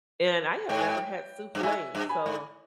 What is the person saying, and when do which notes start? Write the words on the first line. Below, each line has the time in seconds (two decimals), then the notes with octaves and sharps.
and I had never had souffle, so,
0.69 G#2 G5
0.79 G#5
0.89 G5
1.55 G2
1.63 G#2 E5 G#5
1.95 G2
2.09 G#5 B5
2.26 G#2